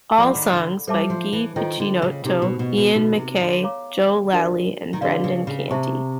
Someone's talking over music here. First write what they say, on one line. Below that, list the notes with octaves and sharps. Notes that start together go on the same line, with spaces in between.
All songs by Guy Picciotto, Ian MacKaye, Joe Lally, and Brendan Canty.
F3 A4 D5 F#5 B5 D6
D#3
D3
G3 A4 C5 E5 A5 D6
F3
E3
D#3 F4 A4 C5 D#5 G5
D3
C#3
C3 D#4 G4 C5
B2
B2
B2
B2 D#4 F#4 A4
C3
D3
C#5 F5 A#5 D6
D4 F#4 A#4 D5
D#3
D3 D4 G4 B4 D5 F5
C#3
C#3
C3 C5 E5 A5 C#6